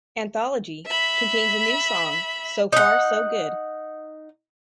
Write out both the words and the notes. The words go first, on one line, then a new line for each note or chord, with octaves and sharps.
"Anthology" contains a new song, "So Far So Good".
E5 B5
D#4 F#5